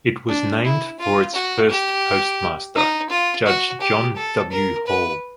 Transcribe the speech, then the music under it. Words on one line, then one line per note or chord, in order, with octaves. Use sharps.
It was named for its first postmaster, Judge John W. Hall.
D4
E4
F4
F#4
G4
D#4
F4
F#4
G4
A4
A#4
B4